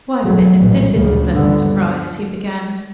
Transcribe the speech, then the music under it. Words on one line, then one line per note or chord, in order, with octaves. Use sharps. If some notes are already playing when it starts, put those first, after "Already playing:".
"Why, Bennett, this is a pleasant surprise," he began.
E2 C#3 F#3 A3
A#1 A2 E3 G3
D2 C#3 F3
G2 D3 G3 B3